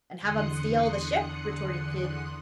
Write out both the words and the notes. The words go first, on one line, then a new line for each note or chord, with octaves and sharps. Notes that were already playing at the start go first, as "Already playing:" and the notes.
"And have them steal the ship!" retorted Kidd.
E2 D3 C6 D#6 F#6 C#7